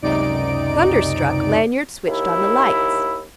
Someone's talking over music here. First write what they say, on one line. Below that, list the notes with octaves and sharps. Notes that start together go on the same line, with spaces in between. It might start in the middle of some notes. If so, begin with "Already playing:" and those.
Thunderstruck, Lanyard switched on the lights.
C#2 F#2 C3 D#4 D5 D7
D#2 E4